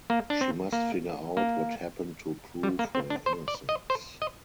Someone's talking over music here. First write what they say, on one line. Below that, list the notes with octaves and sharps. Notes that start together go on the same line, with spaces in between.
She must figure out what happened to prove her innocence.
A#3
D4
C4
A#3
A#3
G3
A#3
C4
D4
C5
D5
D#5
C5
D#5